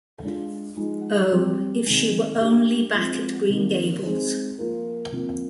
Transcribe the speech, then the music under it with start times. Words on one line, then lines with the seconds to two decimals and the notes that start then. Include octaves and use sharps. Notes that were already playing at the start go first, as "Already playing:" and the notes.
Oh, if she were only back at Green Gables!
0.23 G#3 D4 F4
0.77 F3 G#3 D#4
1.32 G3 C4 G4
1.86 C3 D#3 G#3
2.41 A#3 D4 G4
2.95 F3 G#3 C4
3.50 C3 D#3 A#3
4.03 G#3 C4 D#4 G#4 C5
4.58 F3 A#3 F4 A#4
5.12 C3 F3 A#3